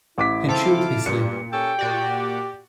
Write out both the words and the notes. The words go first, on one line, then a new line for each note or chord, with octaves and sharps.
He chewed his lip.
A1 E4 D6 B6
G#2 C4 A4 F5 A5 D6
G2 A#2 C#7
C#4 G4 A4 G5
A#2 F#4 G4 D5